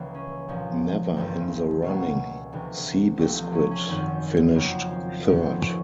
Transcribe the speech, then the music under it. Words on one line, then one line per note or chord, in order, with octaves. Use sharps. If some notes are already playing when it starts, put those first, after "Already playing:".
Never in the running, Seabiscuit finished third.
Already playing: C#2 C#3 E3 G3 A#3
C#4
C2 A#2 F3
G1 G2 E3 G3 A#3 C4
C#2 B2 G3 A#3
D2 C3 E3 G3
C2 C3 F3 A3 C4
C4
C#4
C#4
G#1 F#2 D#3 C4
F2 C#3 F#3 A#3 C4
C4
G#1 G#2 F3 A3 B3
C4
C#4